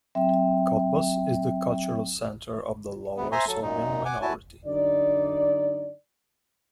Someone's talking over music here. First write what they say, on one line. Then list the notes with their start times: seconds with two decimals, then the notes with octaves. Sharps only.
Cottbus is the cultural centre of the Lower Sorbian minority.
0.15 F#3 C4 E5 G5
3.17 D2 B3
3.32 C5 E5 G#5 A#5 C6
3.48 F#3 A4
3.62 F#2 A#2 D#4
4.05 F#5 G#5 D6
4.22 E4 F#4 G#5 A5
4.66 F#2 D3 D#4 D5